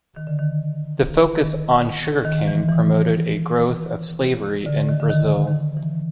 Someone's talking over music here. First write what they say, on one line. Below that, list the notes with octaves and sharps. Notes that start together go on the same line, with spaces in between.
The focus on sugarcane promoted a growth of slavery in Brazil.
D#3
D3
D#3
D#3
D#3
E3
E3
D3
D#3
D3
D#3
D3
D#3
E3